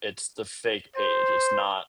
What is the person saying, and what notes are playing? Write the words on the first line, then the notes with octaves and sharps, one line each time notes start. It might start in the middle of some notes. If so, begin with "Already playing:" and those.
it's the fake page, it's not
C5